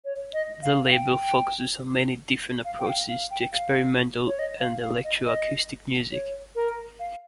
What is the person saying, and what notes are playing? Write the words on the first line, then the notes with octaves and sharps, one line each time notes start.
The label focuses on many different approaches to experimental and electroacoustic music.
C#5
D#5
F5
F5
G5
F5
G5
F5
F5
G5
F5
C#5
D#5
F5
F5
D#5
D#5
C#5
A#4
F5